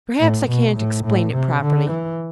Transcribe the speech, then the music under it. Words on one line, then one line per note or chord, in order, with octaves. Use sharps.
Perhaps I can't explain it properly.
A2
B2
A2
A2
C3
D3
E3